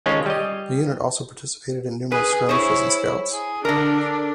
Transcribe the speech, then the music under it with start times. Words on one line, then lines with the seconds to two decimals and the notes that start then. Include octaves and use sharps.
The unit also participated in numerous skirmishes and scouts.
0.06 D#3 G#3 C#4 F4 A4 C#5
0.26 G3 D#5
2.12 G#4 B4
2.49 E4 C5 C#5
3.32 G#4
3.65 D3 D4 A#4